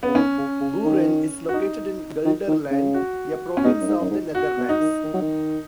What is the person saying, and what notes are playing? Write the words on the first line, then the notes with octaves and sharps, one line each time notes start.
Buren is located in Gelderland, a province of the Netherlands.
C#3 B3
D#3 C#4
C#3
C#3
D#3
F#4
D#4
D#3
D#3
C#3
F#4
C#4
B2 D#4
F#2
G#2
F#2
G#2
F#4
B2
D#4
D#3
D#3
F#3
D#3